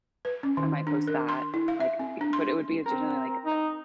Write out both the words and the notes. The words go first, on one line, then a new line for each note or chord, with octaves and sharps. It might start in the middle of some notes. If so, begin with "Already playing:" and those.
I might post that, like, I but it would be generally, like,
B4
C#4
D#3
D4
A#4
C6
E4
F5
E5
C4
D4
C6
C4 A#4
D#4